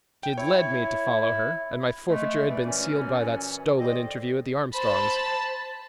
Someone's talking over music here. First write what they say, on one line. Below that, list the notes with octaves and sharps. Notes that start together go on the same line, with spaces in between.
She had led me to follow her, and my forfeiture had been sealed by that stolen interview at the Armstrongs’.
G5
E4 C#5
G#3 A3
E3 D5
F#2 A#2 E3 C#4
G4 A4 C5 D5 D#5
C5 A5 B5